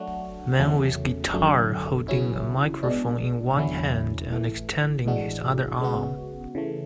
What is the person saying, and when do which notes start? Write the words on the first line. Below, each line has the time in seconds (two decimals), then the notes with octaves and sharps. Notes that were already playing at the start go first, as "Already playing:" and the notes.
Man with guitar holding a microphone in one hand and extending his other arm.
Already playing: F#3 A3 D4 F#4
0.59 E2 C#3 F#3 A3 C#4
1.33 F#2 D3 A3
2.08 C#3 F#3 C#4 E4
2.83 B2 G#3 D4
3.57 E2 D3 F#3 C#4 E4
4.31 A2 E3 A3
5.05 A2 E3 G#3 D4 F#4
5.80 C#3 G#3 B3 F#4
6.55 C#3 E3 A3